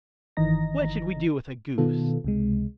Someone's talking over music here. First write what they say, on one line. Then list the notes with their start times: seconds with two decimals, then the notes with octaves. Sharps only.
What should we do with a goose?
0.37 G1 D#3 E3 D#5 A#5 A#6
1.78 B2 D#3 B3 F4 A4
2.24 C#2 C3 G#3